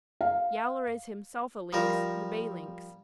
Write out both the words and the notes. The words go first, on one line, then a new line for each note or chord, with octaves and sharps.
Yowler is himself a Lynx, the Bay Lynx.
F5
F3 G3 A#4